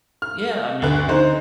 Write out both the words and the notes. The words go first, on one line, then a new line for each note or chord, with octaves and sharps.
Yeah, I mean,
F6
D2 D3 D4 B4 F#6
D3 D#4 C5